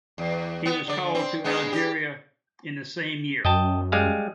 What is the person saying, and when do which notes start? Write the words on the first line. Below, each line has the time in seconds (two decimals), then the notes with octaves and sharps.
He was called to Algeria in the same year.
0.18 E2
0.66 B3
0.88 D3 D5
1.15 C4
1.44 G#3 B3 D4
1.73 G4
3.45 F#2 D#5 G5 A5
3.92 G3 G#3 F5